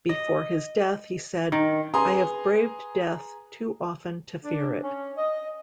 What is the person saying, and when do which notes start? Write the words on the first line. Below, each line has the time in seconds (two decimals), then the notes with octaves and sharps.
Before his death, he said; I have braved death too often to fear it.
0.09 D#5
1.52 D#3
1.94 G#4 B4 G#5 A#5 C6 D#6
4.44 D4
4.83 C#4
5.17 D#5